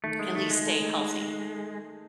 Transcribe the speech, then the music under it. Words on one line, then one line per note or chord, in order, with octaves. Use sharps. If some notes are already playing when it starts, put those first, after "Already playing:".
at least stay healthy,
D#3 A3
G#3
D#3 A3
G#3
A3
D#4